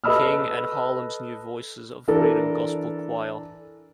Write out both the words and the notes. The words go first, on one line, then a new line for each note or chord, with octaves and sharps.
King, and Harlem's New Voices of Freedom gospel choir.
A4 B4 D#5 B5 E6 F6
E3 D4 A4 A#4